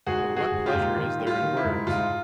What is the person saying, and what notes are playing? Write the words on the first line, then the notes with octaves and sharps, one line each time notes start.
But what pleasure is there in words?
G#2 F#4 G#4
G3
F#4 G#4
G#2
F4 G4
G#2
D#3 F4
G3
F4
D#3
E4
G#2
G#2 F4